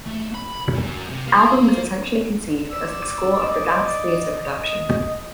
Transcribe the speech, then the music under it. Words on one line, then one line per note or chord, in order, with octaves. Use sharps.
The album was essentially conceived as the score of the dance theatre production.
A3
B5
F#2
C3
A#3
D5 E6
D#5